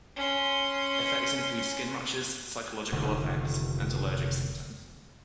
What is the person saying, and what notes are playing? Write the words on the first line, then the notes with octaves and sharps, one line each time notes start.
Effects include skin rashes, psychological effects, and allergic symptoms.
C#4 C6
F1 D3 D#3